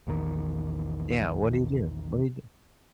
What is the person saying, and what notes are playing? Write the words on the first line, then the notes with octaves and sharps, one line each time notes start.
yeah, what do you do? What do you do?
A#1 E2 D#3